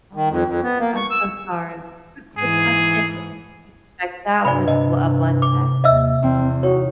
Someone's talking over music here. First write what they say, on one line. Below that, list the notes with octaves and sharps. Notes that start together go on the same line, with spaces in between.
Oh my gosh, I'm so sorry. Quick quick question, it was can you check that with bl a blood test?
D#3
F2
F2
B3
A#3
C#6
E6
G#2 E3 G#4
G2 C3 D5 G#5 B5
C3 D#5
D6
D#2 D#5 E5 E6
E2 C4
D#4 F#4 C#5